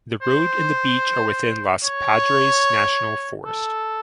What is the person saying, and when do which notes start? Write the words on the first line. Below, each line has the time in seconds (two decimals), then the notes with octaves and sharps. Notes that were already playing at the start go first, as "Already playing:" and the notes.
The road and the beach are within the Los Padres National Forest.
0.23 C5
1.84 C#5
3.45 A4